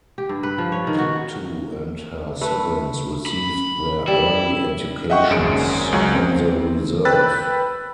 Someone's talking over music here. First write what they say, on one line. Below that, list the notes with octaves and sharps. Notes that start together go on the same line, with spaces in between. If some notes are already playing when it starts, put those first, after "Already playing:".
Pictou and her siblings received their early educations on the reserve.
G4
G2
B4
F3
C#5
D#3
F#4
A3 B4
B5
G3 E4
D#5 E5 F#5 G5 C#6
G#1 F#2 G#4 C#7 D7
C#2 F#3 G#5
C4
B4 G5 B5 E6 F#6 A6